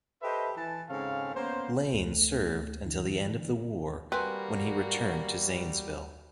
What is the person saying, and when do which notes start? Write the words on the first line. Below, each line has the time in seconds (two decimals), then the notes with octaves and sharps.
Lane served until the end of the war when he returned to Zanesville.
0.22 G4 A4 B4 C5 D#5 E5
0.56 E3 A5
0.89 G#2 C#3 C4 A4 C#5 F5
1.35 A#3 B3 C#4 C5
1.93 D2 A3
2.86 D3 E3
4.12 G3 A#3 C4 F#4 B4 G#5